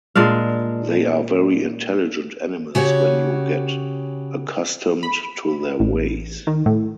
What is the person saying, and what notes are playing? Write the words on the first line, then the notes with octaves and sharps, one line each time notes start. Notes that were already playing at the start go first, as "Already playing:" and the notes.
They are very intelligent animals when you get accustomed to their ways.
A#2 G#3 D4 F5
C#3 F#4 G4 C#5
B5
A1
D#3
A2